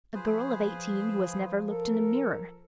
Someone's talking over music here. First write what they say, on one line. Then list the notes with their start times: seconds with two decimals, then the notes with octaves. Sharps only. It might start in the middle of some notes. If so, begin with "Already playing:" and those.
A girl of eighteen who has never looked in a mirror!
0.14 F3 G#4 B4 C5
1.70 A4 A#4